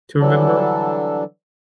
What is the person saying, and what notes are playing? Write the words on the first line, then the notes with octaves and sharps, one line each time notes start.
to remember,
D3 E3 F#3 G3 D4 A4